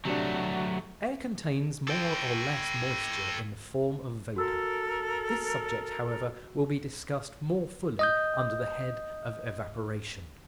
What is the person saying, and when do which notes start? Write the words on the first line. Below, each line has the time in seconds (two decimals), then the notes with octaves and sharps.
Air contains more or less moisture in the form of vapor; this subject, however, will be discussed more fully under the head of evaporation.
0.05 C3 F#3 A3 D4 F#4
1.88 A4 G5
4.36 F#4 A4 A#4 E6
7.99 D#5 D#6 G6